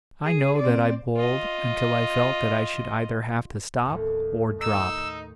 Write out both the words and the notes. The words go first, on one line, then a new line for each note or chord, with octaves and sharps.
I know that I bowled until I felt that I should either have to stop or drop.
G#4
C4 D5
F4 D#5
D#2 A2
D#4 E6